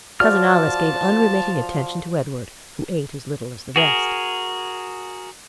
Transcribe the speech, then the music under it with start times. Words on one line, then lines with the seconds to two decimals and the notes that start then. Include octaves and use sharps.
Cousin Alice gave unremitting attention to Edward, who ate as little as the rest.
0.20 F3 F#4 D5 A5 F6
3.76 F#4 G#4 A#4